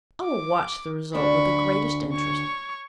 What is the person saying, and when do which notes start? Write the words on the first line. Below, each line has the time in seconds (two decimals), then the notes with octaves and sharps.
I will watch the result with the greatest interest.
0.24 D6
1.15 D2 D4 B5 C#6
2.12 C#5 C#6